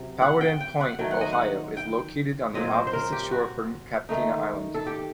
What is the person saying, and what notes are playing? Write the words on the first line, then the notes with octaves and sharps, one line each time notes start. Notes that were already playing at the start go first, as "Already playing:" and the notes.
Powhatan Point, Ohio is located on the opposite shore from Captina Island.
Already playing: C3 F#3
F#5
G5
G5
F#5
D#3 F#3 A3 G5
F#5
D#5
F#5
G5
A#2 F#3 C4 D#5
C5
C5
A#4
G4
F#4
D#3 A3 D#4
A4
G4